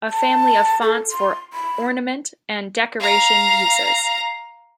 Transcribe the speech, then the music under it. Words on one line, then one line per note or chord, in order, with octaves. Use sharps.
A family of fonts for ornament and decoration uses.
A5
A4
C6
B5
F5 A#5